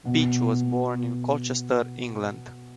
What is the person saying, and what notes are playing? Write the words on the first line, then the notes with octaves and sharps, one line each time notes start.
Beach was born in Colchester, England.
B2